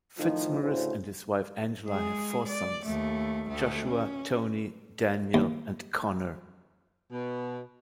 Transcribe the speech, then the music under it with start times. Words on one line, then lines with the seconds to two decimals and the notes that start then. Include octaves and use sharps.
Fitzmaurice and his wife Angela have four sons: Joshua, Tony, Daniel and Connor.
0.18 A2 D#3 F3
0.62 D2 A2 C#3 C5
1.86 G#3 G#4
2.48 D5
2.86 D#2 A3
3.49 D2 A3
3.86 C#4
5.34 D#2
7.11 B2